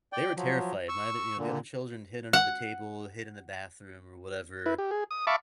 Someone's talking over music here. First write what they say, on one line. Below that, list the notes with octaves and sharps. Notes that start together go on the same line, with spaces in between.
they were terrified. My other you know, the other children hid under the table, hid in the bathroom or whatever.
D5 G5
F3 F#3
C#6 E6
A#2 D3
F#5
E4 B4
G4
G#4
D#6
E5 F5 A5 B5 C#6 D6